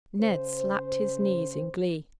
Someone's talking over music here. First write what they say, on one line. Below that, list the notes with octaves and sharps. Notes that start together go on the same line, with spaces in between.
Ned slapped his knees in glee.
C#3 C5